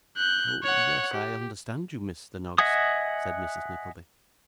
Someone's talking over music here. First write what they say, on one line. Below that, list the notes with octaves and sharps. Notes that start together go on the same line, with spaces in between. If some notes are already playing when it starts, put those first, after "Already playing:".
'Oh yes, I understand you, Mr Noggs,' said Mrs Nickleby.
F#6 G6
C#5 F#5
G4
D#5 E5 F#5 G#5 D#6